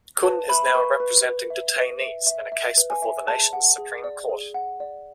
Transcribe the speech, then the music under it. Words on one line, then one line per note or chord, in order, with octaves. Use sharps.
Kun is now representing detainees in a case before the nation's Supreme Court.
B4 A5
E5 B5
B5
B4 C#6
B4
B4
E5
B4
E5
E5
E5
B4
G#5
E5
G#4 A5
F#5
G#4
D5
G#4
F#5
D5